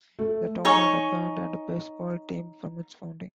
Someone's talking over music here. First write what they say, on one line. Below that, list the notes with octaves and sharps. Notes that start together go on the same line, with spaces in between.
The town had a band and baseball team from its founding.
A3
D#4 C#5 G#5 C#6